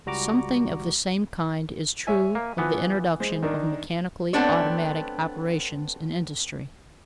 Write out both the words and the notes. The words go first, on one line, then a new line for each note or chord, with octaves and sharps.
Something of the same kind is true of the introduction of mechanically automatic operations in industry.
C#2 G3 F#4 A#5 D6
C#5 E5 G#5
A#3
E3 F3 B3
G#3 C5
D#3 D4 A#4
A3 B3 C4 D4 C#5